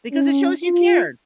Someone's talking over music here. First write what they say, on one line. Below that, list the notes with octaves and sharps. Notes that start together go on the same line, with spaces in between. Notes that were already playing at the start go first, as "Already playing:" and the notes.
Because it shows you cared.
C#4
F4